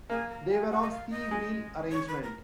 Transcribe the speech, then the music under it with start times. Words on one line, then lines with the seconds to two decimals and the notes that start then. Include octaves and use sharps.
They were of C wheel arrangement.
0.10 A#3 G#4
0.29 A#4
0.49 G#5
0.70 F#5
0.82 D#5
0.91 F5
1.10 D#5
1.31 G#3
1.92 C#5
2.08 B4
2.23 A#4